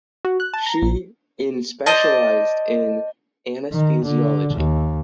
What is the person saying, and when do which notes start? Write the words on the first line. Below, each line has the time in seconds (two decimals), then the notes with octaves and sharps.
She in specialized in anesthesiology.
0.25 F#4
0.40 F#6
0.54 A5
0.66 A#5
0.82 A#1
1.86 C5 D5 D#5 A5
3.73 D#3
4.05 D3
4.54 D#2